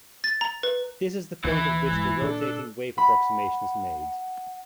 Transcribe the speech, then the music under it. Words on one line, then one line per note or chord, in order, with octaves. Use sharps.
This is the point at which the rotating wave approximation is made.
A6
A#5
B4
D2 D#3 E3 E4
D1 G2 G#3
A#2 D4 A4
F#5 B5